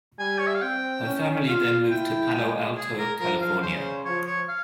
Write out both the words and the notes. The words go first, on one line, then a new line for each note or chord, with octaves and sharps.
Her family then moved to Palo Alto, California.
G3 G#5
C#5
E5
F5
C4 G5
C#4
F4 F5
E4 G5
G#3
G#4
A#4
F3 A#4
F5
C#3 C5
F3 C#5
C#5
F5